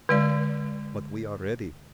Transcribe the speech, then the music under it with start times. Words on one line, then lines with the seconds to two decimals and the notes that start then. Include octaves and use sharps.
But we are ready.
0.09 D3 G#3 D5